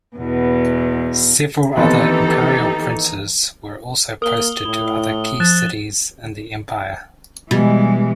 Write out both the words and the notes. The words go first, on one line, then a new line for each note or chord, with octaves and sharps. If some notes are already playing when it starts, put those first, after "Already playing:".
Several other imperial princes were also posted to other key cities in the empire.
E2 B2
D#2 E3 B3 C4 D#4 G4 A4
A#3 A#4 D#6 G7
A2 E4
F3 F#6 A6 E7
B2 E3 G3 G#3